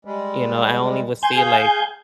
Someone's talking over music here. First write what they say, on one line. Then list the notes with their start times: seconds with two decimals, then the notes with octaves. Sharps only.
you know, I only would see, like,
0.05 G3 G#3
1.23 G#5 C6 G6
1.36 G#4 F5